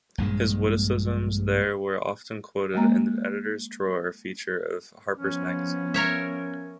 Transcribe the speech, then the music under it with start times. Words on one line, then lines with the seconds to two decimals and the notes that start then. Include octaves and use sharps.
His witticisms there were often quoted in the "Editor's Drawer" feature of "Harper's Magazine".
0.18 A#1 G2 A#2 G#3
2.74 F#3 G#3 A#3 A#5
5.17 F3 B3 C#4
5.94 A#4 C#5 E5